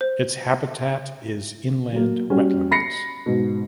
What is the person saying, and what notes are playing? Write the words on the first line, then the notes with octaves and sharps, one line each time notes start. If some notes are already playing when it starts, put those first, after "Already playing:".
Its habitat is inland wetlands.
C5
F#3 A#3
G3 C#4 F#4
B5 A#6 C7 C#7
G#2 B2